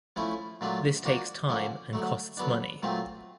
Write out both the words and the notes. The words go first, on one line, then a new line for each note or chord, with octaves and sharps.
This takes time and costs money.
F3 A3 C#4 E4
A#2 F#3 A3 D4 F4
F3 A#3 D4 F#4
D3 F3 A#3 C#4
D3 F#3 A3
D3 F#3 B3 D4
A#2 F#3 A3 C4 F4